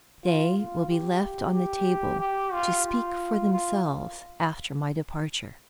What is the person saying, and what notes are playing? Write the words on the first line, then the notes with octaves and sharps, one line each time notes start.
They will be left on the table, to speak for themselves after my departure.
F4
F4
G4
G4
G4
F4
F4
F4